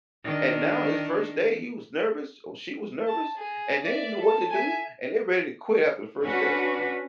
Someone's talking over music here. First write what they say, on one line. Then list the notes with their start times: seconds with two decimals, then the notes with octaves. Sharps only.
and now his first day he was nervous or she was nervous, and they didn't know what to do, and they're ready to quit after the first day.
0.24 D#3 D4
3.08 A5
3.38 G#4
3.85 D5 E5
4.22 A4 A5
4.51 E5 G#5
6.22 C#4 D4 F#4 B4